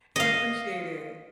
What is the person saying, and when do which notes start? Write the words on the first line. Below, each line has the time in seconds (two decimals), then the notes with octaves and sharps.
and appreciate it.
0.16 D#5 F5